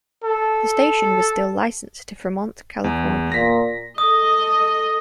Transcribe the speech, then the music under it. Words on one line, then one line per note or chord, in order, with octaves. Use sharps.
The station was still licensed to Fremont, California.
A4
E2
A#2 A#6 B6
A4 D#5 D#6